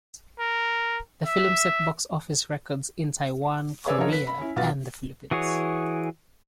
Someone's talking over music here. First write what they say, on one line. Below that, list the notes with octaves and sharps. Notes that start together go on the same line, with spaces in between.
The film set box-office records in Taiwan, Korea, and the Philippines.
A#4
E5
G#4 B4 C#5 D5 G#5 E6
D3 F3 D#4 A4 A#4 C#5
B4 B6
B5
C#4 E4
B1 F4 F#4 B4 F5 A6
E3 F#4 G#4 C#5